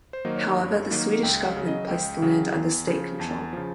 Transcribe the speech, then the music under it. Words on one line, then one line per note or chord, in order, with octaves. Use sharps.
However, the Swedish government placed the land under state control.
C5
D#3 F#3 A#3 D#4
C#5
G2
D#3 F#3 A#3 D#4
C#2 G5
F5
C#3 F#3
D#5
C#2 G5
C#3 F#3
E2
C#3 F3
E2 A5
C#3 F3